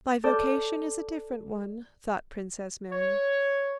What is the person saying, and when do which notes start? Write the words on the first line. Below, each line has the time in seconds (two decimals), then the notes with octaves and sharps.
"My vocation is a different one," thought Princess Mary.
0.24 A4 D5 F6 G6
2.91 C#5